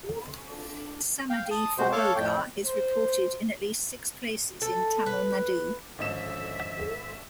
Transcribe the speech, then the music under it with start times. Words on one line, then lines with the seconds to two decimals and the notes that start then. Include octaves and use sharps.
Samadhi for Bogar is reported in at least six places in Tamil Nadu.
1.30 F5 G5
1.51 A5 D#6
1.78 C3 G#3 F#4 C5
1.92 A4 C#5 F5 A5 C#6 D6
2.16 F2 A2 G5
2.65 C5
4.62 A4
5.06 B4
5.98 G#1 D3 F3 C#4 D#5 E5 E7